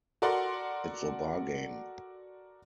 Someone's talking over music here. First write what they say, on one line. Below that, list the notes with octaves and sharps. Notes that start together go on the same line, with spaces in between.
It's a bargain!
F#4 A4 A#4 D5 F#5 C6